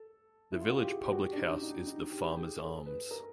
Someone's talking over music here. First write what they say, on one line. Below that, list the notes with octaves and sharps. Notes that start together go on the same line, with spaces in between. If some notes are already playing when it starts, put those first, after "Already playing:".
The village public house is "The Farmer's Arms".
Already playing: A4
E4
F4
F#4
G4
G#4
G4
F#4
D4
D#4
D#4
D4
D#4
G4
G4
G#4
A4
B4
A#4